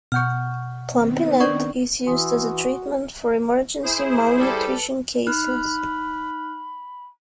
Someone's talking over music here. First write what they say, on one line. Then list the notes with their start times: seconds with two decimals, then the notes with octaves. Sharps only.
Plumpy'Nut is used as a treatment for emergency malnutrition cases.
0.12 B2 F#5 C#6 F6 G6
0.88 D#3 B3 C4
1.40 D4 D5 C#6
2.06 E3 F#4 G#5 C6 D#6
3.83 E4 G#4 C5
4.38 G3 A4 B4
5.27 D#4 B5 F6 F#6